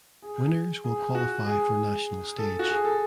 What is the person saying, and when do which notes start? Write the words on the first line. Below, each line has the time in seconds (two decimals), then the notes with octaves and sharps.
Winners will qualify for National Stage.
0.22 G#4
0.84 G#4
1.15 F#4
1.46 G#4
2.38 A4
2.59 F#4
2.70 G#4
2.85 A4